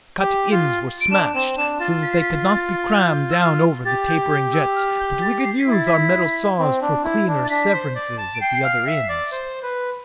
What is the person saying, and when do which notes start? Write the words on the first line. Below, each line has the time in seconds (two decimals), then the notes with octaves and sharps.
The cut ends were smashed so that they could not be crammed down over the tapering jets; but we could use our metal-saws for cleaner severances at the other ends.
0.21 G4
0.52 F4
1.01 D7
1.11 D4 E7
1.34 C4 E7
1.57 D4 E7
1.80 F4 A6
2.03 B6
2.12 C7
2.20 B6
2.48 A6
2.94 G6
3.31 E6
3.40 F6
3.85 G4 A6
4.08 G6
4.30 G6
4.53 E6
4.76 F6
4.99 G6
5.22 A6
5.45 C7
5.59 B6
5.67 E4 A6
5.86 B6
6.59 C4
6.82 D4
7.04 E4
7.28 D4
7.45 A6
7.50 D4 B6
7.73 C5
7.96 D5
8.18 A5
8.35 D7
8.41 G5 C7
8.64 F5
8.87 E5
9.09 D5
9.32 C5
9.63 B4